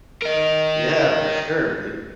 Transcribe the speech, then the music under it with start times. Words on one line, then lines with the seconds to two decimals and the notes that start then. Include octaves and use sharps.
Yeah, for sure, dude.
0.22 A#4 D#5